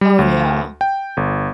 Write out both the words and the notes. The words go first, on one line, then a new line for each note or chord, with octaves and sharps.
Oh, yeah.
G3
D2
G5
G1